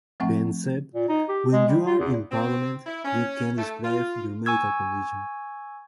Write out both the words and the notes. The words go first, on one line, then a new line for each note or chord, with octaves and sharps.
Benn said: When you're in parliament, you can't describe your medical condition.
F3 A3 C4 E5 F#5 C#6
A#2
D#4
G4
G#3
G3
F4
E2
C4
E4
C#4
A3
F4
G#5 C#6 E6 G#6